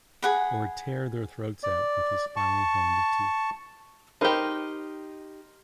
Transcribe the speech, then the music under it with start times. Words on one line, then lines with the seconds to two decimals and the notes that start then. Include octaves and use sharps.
Or tear their throats out with his finely honed teeth.
0.22 G#4 F#5 B5
1.63 D5
2.36 A5 C#6
4.21 D#4 G4 A#4 C5 B5